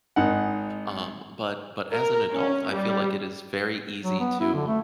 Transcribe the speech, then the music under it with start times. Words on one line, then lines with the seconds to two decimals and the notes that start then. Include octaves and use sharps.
um, but but as an adult, I feel like it is very easy to
0.16 G#1 D#4 F#5
1.92 A#4
2.32 C#4
2.72 G3
4.03 F#3
4.20 B3
4.40 E4
4.54 D3
4.67 A3